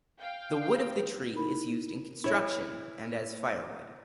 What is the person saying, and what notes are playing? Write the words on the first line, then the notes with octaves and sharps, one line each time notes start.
The wood of the tree is used in construction and as firewood.
F5 G5
D#4 E4 A#4 B5
E4 C#5